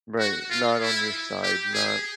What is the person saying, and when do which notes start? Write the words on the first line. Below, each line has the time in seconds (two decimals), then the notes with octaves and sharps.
Right, not on your side, not
0.19 F#4
0.50 F4
0.81 E4
1.43 G4
1.74 G#4